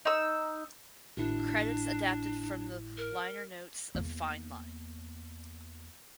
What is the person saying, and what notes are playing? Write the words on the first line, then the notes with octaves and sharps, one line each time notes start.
Credits adapted from the liner notes of "Fine Line".
D#4 E6
G#1 A2 D4 E4
A#4
E2 A#3